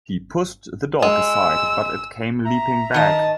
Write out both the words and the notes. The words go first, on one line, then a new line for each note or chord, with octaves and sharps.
He pushed the dog aside, but it came leaping back.
G#3 E6
E5 A#5
D#3 D#5 A5